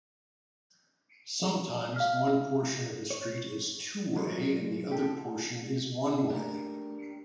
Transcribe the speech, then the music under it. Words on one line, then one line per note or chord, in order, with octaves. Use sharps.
Sometimes one portion of a street is two-way and the other portion is one-way.
F5 F6
C#5
F#3 G#3 A#3 C#4
G4 A4
B2
A3 A#3 D4 G4 A#4